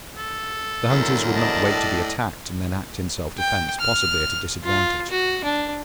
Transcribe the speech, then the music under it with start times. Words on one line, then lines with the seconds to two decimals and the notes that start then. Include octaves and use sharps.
The hunters would not wait to be attacked and then act in self-defense, possibly at a disadvantage.
0.17 A4
0.90 E2 D3 F#3 A#4
1.35 D5 D#5 A5
1.65 A2
3.38 G5
3.80 F6
4.64 F4
5.10 F#4
5.44 D4